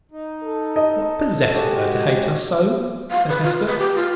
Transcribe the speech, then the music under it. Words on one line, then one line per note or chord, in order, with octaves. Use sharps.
"What possessed her to hate us so?" said Hester.
D#4
A4
D#5
G#3 F#4 G4
F5
B4
F4
B4
G4
F4